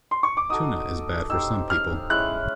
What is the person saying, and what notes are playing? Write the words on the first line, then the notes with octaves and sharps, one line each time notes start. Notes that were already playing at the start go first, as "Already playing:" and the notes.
Tuna is bad for some people.
C6
C#6
D6
D#4 F#4 A4 D#6
D#4 G4 C5 E6
F6
G#3 C#4 E4 F#6